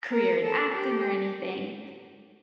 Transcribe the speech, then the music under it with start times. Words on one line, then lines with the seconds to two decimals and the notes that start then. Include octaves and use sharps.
career in acting or anything.
0.12 A#4
0.43 A4
0.72 G4